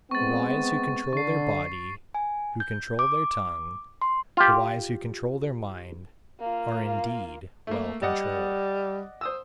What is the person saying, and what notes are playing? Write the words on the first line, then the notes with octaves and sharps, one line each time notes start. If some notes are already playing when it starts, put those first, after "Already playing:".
The wise who control their body, who control their tongue, the wise who control their mind, are indeed well controlled.
G#3 B3 C4 C#6 A6
D3 C#6 C7
G#5
G6
D6
C6
F4 G4
A#3 F4
A3 A#3
G3 D5 D#5 F#5
C5 D#6 E6